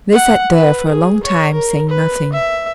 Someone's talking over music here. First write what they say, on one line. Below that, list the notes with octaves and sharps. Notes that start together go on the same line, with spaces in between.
They sat there for a long time, saying nothing.
F#5
B4
G#4
C#5
A#4
B4
E5